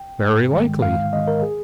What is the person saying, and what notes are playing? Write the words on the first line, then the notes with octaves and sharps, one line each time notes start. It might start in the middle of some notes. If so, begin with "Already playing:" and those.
"Very likely."
Already playing: G5
G#2
D#3 G#3
G#2 F5
D#3 G#3 D#5
A#4
G#4